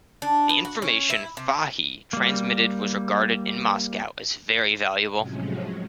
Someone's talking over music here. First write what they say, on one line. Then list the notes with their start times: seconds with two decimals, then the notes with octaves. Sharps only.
The information Fahy transmitted was regarded in Moscow as very valuable.
0.22 D4
0.49 B3
0.65 F#4
0.82 C#4
1.10 E4
1.37 C3
2.13 G3 A#3
5.14 A2 C3 F3 F#3 G#3 C#4